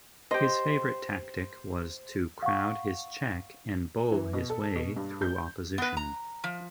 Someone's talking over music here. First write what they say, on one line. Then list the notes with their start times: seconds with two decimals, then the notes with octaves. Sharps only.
His favourite tactic was to crowd his check and bull his way through opposition.
0.31 G4 C5 D#5
2.43 F5 F#5 C#6
4.12 E3
4.33 B2
4.50 A4
4.76 B2
4.96 G2
5.22 G6
5.78 B3 B4
5.97 A#5
6.44 F3